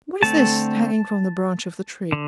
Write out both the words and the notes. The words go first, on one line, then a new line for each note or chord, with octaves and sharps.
What is this hanging from the branch of the tree?
D3 A3 C4 A5
D3